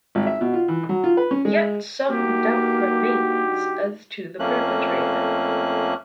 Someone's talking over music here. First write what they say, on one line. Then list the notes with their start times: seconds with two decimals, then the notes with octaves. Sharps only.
Yet some doubt remains as to the perpetrator.
0.15 G#1
0.27 E5
0.41 B2
0.54 F4
0.68 E3
0.89 F#3
1.04 F4
1.17 B4
1.31 C#4
1.45 G#3
2.08 G2 A#3 D#4 F#4 G4
4.39 F2 A3 A#3 C#4 F#6